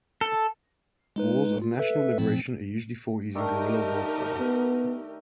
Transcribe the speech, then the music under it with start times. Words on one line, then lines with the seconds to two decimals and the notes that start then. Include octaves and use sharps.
Wars of national liberation are usually fought using guerrilla warfare.
0.21 A4
1.16 G#3 D#4 B4
1.62 F4
1.79 A4 B4 E5
2.18 A#2 F3 C4
3.35 D#3 A3 D4 D#4 G4 A#4
4.40 B3